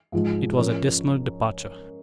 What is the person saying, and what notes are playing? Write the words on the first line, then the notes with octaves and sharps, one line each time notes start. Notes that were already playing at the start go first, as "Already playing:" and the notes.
It was a dismal departure.
G#2 F3 G#3 F4 G#4
F3 C#4 A#4 C#5